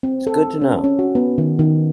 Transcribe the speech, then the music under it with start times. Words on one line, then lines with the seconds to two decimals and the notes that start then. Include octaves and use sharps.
It's good to know.
0.03 C4
0.27 A4
0.62 C#4
0.84 C#4
0.99 F#4
1.15 B3
1.38 D#3
1.59 D#3